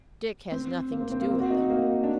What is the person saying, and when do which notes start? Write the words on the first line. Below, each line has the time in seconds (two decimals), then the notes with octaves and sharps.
Dick has nothing to do with them.
0.52 C4
0.92 A#3
1.01 C4
1.11 C4
1.21 A#3
1.31 C4
1.40 F#4
1.50 D#4
1.70 A#3
2.04 D4